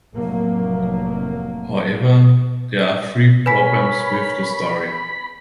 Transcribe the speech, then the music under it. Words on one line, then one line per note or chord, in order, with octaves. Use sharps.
However, there are three problems with the story.
F1 A2 F#3 A3 A#3
A#4 B4 C#5 G#5 B5 B6